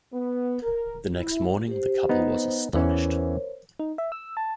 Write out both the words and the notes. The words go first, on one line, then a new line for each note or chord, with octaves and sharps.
The next morning the couple was astonished.
B3
A#4
E4
G4 C5
B3 D#4 C5
E2 E3 C#4 A#4 C5 C#5
D#4
E5
E6
A5